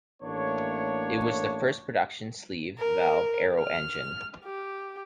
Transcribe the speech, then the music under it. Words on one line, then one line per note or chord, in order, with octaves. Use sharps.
It was the first production sleeve valve aero engine.
A1 A3 A#3 D4 C#5
A#4
F6
G4